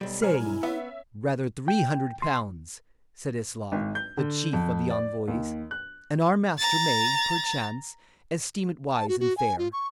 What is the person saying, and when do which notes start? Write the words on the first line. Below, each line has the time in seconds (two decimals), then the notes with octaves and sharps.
"Say, rather, three hundred pounds," said Eslaw, the chief of the envoys, "and our master may, perchance, esteem it wise and fair."
0.01 B1 G3
0.22 C5 G#5 A#5 F6
0.40 E4
0.63 B3 C#4 E5
1.68 G5
2.22 C6
3.72 G#1
3.95 G6
4.17 D3
4.53 F2
4.90 D5
5.28 D#2
5.71 F#6
6.58 A#5 A6
8.95 A5
9.08 F#4
9.20 F#4
9.37 G#5
9.58 F4
9.73 C#6